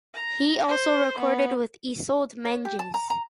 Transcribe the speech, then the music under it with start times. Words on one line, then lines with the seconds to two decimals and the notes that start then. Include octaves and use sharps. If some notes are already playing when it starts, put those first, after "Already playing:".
He also recorded with Isolde Menges.
0.15 A#5
0.68 C5
1.19 B3
2.45 C#5
2.65 G4
2.79 A5
2.94 A#5
3.10 A#5